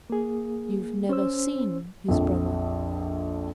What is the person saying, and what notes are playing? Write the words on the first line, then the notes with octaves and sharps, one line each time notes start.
"You've never seen his brother?"
A#3 G#4
C#4 C5 E6
A#1 F2